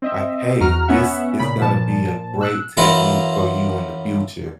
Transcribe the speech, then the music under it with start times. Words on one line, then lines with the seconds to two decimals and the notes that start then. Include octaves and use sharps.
like, "Hey, this is gonna be a great technique for you in the future,"
0.02 C4 D#5 E5
0.60 E2 F#4 A#5 F6
0.88 B3 C#4 E5 F#5
1.39 A#2 C#3 B5 B6
1.59 A#2 F3 A5
2.41 E6 F#6
2.77 F#2 E3 E4 F4 F5 A#5